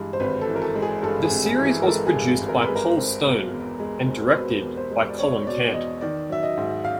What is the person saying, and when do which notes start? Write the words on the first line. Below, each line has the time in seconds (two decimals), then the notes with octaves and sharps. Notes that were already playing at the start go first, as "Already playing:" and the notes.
The series was produced by Paul Stone and directed by Colin Cant.
Already playing: G2 E3 G#3
0.13 C5
0.20 G#1 B4
0.41 A4
0.48 E3
0.56 A#4
0.62 A4
0.75 G#3
0.82 G#4
1.03 G2 A4
1.24 G#4
1.31 G#1
1.45 G#4
1.59 E3
1.65 G#4
1.82 A#4
1.86 G#3 A4
2.07 G#4
2.14 G2
2.41 G#1
2.49 A#4
2.63 B4
2.69 G#3
2.76 A#4
2.97 C4
3.25 B2
3.53 E2
3.80 G#3
4.08 C4
4.27 C5
4.35 B2 B4
4.63 E2
4.77 C5
4.91 G#3
5.09 D5
5.18 C4 C#5
5.47 B2 D5
5.73 E2 D#5
6.01 D#3 D5
6.29 F#3 E5
6.43 D#5
6.57 G#2
6.85 F5